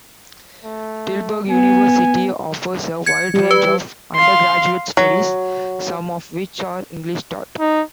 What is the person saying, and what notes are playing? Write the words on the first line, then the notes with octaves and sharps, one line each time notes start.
Tilburg University offers a wide range of undergraduate studies, some of which are English-taught.
A3
B3 G#5
G#6 C#7
G3
B4
F5 C6
F#3
D#4